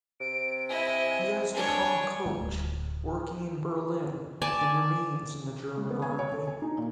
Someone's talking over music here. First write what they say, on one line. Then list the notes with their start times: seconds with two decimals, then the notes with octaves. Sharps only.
He has become a coach, working in Berlin, and remains in the German army.
0.20 C3 D7
0.69 E4 D#5 G#5
1.54 D4 C#5 G#5
2.26 G3 A3
2.41 D1
4.42 D5 G#5 A5
5.77 G#3
5.90 B3
6.02 G#5
6.19 C#5
6.33 A4
6.47 G#5
6.62 D#4
6.78 A#2